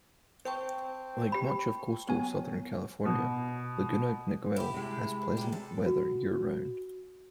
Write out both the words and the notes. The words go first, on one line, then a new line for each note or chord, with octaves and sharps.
Like much of coastal Southern California, Laguna Niguel has pleasant weather year-round.
C4 C5 G5 A5 C#6
G4 B5
F#3 B3 G#5
B2
E4 G4
C3 G#3
F#2 G3
A4
F#4